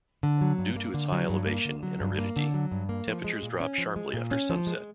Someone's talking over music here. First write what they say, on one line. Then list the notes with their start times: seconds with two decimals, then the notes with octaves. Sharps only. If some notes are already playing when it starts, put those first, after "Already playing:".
Due to its high elevation and aridity, temperatures drop sharply after sunset.
0.23 D3
0.41 F#3
0.59 G2
0.76 A#3
0.94 D3
1.12 F#3
1.29 G2
1.47 A#3
1.65 D3
1.83 F#3
2.00 G2
2.19 A#3
2.36 D3
2.54 F#3
2.71 G2
2.89 A#3
3.07 F3
3.24 G#3
3.42 A#2
3.60 C#4
3.78 F3
3.96 G#3
4.13 A#2
4.31 C#4
4.49 F3
4.67 G#3